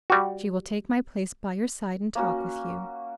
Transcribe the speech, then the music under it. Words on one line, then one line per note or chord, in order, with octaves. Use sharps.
"She will take my place by your side and talk with you."
G3 F#4
A#3 C#4 F#4